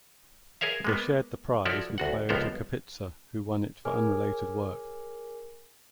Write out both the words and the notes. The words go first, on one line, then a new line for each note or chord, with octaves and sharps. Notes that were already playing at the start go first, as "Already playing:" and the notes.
They shared the prize with Pyotr Kapitsa, who won it for unrelated work.
G#4 A#4 C#5 E5 F5
G#3 A#3 B3
F3 E4 F#4 A4 C#5 D5
D2 F#4 F#5
C#2 F3 B3 A4 A#4 C5
G#4 A#4 C#5 G#5 D6 F6